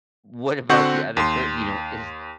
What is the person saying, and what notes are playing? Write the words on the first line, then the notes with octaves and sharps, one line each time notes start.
what about the other per you know, is
D3 C4 F#4 F#5 C#6 G6
D#2 C6